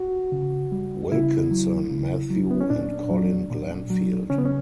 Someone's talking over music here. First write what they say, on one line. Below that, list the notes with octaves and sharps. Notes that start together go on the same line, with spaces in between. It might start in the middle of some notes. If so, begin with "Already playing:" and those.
Wilkinson, Matthew, and Colin Glanfield.
Already playing: F#4
C#3
G3
C#3 E4
F#3
C#3
F#3
B3
C#4
A#2 D4
F#3
A#2
F#3
C#3 C#4
B3
C#4